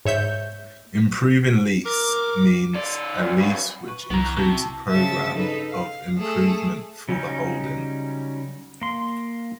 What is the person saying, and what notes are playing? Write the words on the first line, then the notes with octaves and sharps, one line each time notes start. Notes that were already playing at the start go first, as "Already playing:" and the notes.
"Improving lease" means a lease which includes a programme of improvement for the holding.
G#2 C#5 E5 G6
A#4 D6
C#3 D5
D2
G2 F#3
B4 C#6
C2 E3 B3 B4 A#5
C3 E4 F#4 A5
G2 C#3 F3 E5 A5 A6
D#4 A4 B4
F5
A3 G#4 A4
C#3 F#3 G3 C#4 D#4
A#3 C6